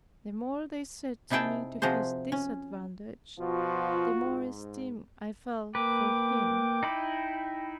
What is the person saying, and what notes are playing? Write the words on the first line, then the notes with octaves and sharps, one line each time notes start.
The more they said to me to his disadvantage, the more esteem I felt for him.
C3 D#4 E4 G#4 G5 A5
C3 F3 F#4 G#4 C5
C#4
B2 F3 F4 F#4
G#2
A#3 B4 G5 D6
D#4 E4 B5